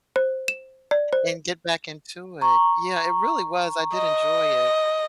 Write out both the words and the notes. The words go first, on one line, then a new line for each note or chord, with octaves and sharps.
and get back into it. Yeah, it really was. I did enjoy it.
C5
E7
D5
C5
A#5 C#6
D#5